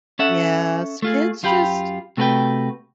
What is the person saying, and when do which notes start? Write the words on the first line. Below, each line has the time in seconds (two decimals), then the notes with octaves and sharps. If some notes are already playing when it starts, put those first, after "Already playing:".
Yes, kids just
0.19 C#4 A4 E5 F#5
1.02 A3 F4 G#4
1.43 F#2 F4 G4 G5 B5
2.17 C3 A3 F#4 A#4 B4 G5